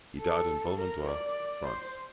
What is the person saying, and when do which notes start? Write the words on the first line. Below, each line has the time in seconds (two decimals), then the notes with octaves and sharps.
He died in Valmondois, France.
0.20 A4
0.78 A#4
1.06 D5
1.64 C5